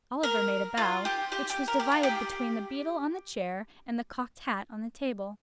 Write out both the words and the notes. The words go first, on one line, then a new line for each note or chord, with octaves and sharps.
Oliver made a bow, which was divided between the beadle on the chair, and the cocked hat on the table.
A#4
F4
G4
G4
G4
A#4
G4
F4
G4